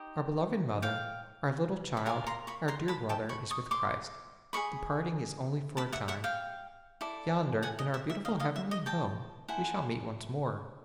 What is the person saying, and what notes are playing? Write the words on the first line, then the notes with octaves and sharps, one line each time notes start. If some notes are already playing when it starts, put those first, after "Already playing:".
Our beloved mother, our little child, our dear brother is with Christ; the parting is only for a time. Yonder, in our beautiful Heavenly Home, we shall meet once more.
Already playing: D#4 G4 C5 D#5
F5 G5
B5
F4 A#4 D5 G#5 A#5
A#5 C6
B5 C#6
A#5 C6
A5 B5
G5 A5
B5 C#6
C#6 D#6
C6 D6
G#4 B4 D#5 B5 C#6
A5 B5
E5 F#5
E5 F#5
F5 G5
E4 A4 D5
F#5 G#5
D#5
E5
E5
D#5 F5
D#5 F5
E5
D#5
G5 A5
E4 A4 C5 F#5 G#5